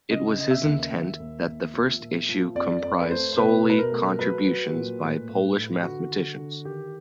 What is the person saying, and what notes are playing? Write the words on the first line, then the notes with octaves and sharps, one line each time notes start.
It was his intent that the first issue comprise solely contributions by Polish mathematicians.
C#3 D#5
C#3 D#5
E5
D#2
D#2
D#2
D#2
F3
A#2
F3
F2 D5
F2 D5
B4
A3 C5
C5
B2 B4
B2
B4
A#4
A3
F#3 B4
F#3
A#2
A2
A2
A2
D3 F#4
D3
D3
D#3 G4